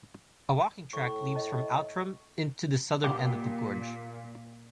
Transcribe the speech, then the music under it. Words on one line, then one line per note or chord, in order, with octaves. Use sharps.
A walking track leads from Outram into the southern end of the gorge.
A2 C#6
D#5 A5
A#2 G4